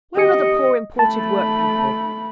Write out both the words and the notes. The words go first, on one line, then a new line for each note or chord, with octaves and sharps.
'Where are the poor imported work-people?
G4 D#5 D#6 C#7
A3 A5 B5